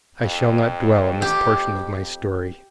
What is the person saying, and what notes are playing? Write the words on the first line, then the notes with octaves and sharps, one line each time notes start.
I shall not dwell on this portion of my story.
F2
G4